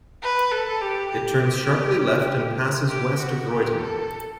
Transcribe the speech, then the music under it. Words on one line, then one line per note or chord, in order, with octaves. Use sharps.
It turns sharply left and passes west of Royton.
B4
A4
G4
G4
G4
F#4
G4
A4